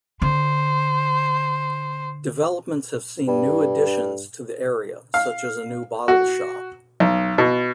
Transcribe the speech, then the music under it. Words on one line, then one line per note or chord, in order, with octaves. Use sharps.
Developments have seen new additions to the area, such as a new bottle shop.
D3 C5
G2
F5
F#4
B1
B2